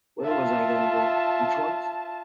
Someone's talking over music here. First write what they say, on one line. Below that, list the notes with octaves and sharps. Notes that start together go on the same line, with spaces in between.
Where was I gonna go, Detroit?
F4 E5 A5